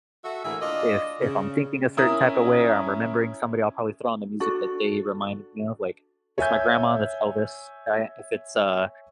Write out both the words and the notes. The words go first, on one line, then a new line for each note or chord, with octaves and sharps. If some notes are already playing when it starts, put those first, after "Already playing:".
if if I'm thinking a certain type of way or I'm remembering somebody, I'll probably throw on the music that they reminded me of, like, it's my grandma, that's Elvis, right? If it's, uh,
F#4 A4 E5
A2 D3 E3 A#3 G#4 E5
D4 F4 D5 D#5
C#3
C#4 E4 A#4 D#6
D4 F#4 A4
C#5 E5 G#5 G6